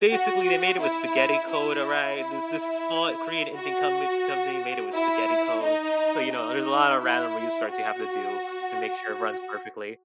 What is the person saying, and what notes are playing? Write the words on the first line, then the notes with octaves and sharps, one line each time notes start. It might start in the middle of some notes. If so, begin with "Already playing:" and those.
basically they made it with spaghetti code, alright? This this small Korean Indian comin company made it with spaghetti code, so, you know, there's a lot of random research you have to do to make sure it runs perfectly.
F#4
E4
E4
E4
F#4
E4
D#4
D#4
E4
F#4